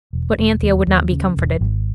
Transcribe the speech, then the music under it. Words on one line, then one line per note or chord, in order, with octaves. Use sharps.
But Anthea would not be comforted.
E1
E1
D#2
D#2
C#3
E1
G#1